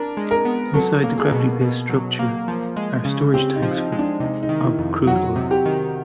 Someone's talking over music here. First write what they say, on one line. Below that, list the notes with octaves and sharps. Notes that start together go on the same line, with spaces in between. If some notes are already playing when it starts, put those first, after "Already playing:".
Inside the gravity base structure are storage tanks for of crude oil.
Already playing: D4 A#4
G#3
A#4
B3
F#3 A4
A#3
G#4
B2
B2
F#3
A#3
F3
G#3
C#3
C4 G4
D#4
F3
D#4
G#3
D4
C3 D#4
D#4
D#3
E4
F2
F#3 F#4
C3
G4
D#3